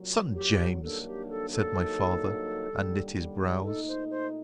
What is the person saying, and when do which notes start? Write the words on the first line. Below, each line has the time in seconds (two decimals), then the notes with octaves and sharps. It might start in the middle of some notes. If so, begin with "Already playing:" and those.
Son James! said my father, and knit his brows.
Already playing: C2 A#2 F#3
0.35 G4
0.82 G2 D#3 F#3 A#3 D4 A4
1.06 G4
1.30 A4
1.53 A4
1.76 G2 D3 F#3 A#3 D#4
2.70 D#2 D3 G3
3.64 A#2 A3 D#4 A4
3.88 C5
4.11 C5